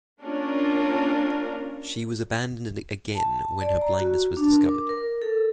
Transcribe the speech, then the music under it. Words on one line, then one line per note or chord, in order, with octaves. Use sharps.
She was abandoned again when her blindness was discovered.
A#3 C#4 D4 F4 A#4
A5
D5
A#5
F#4
D4
A#4
D6
A#4
A4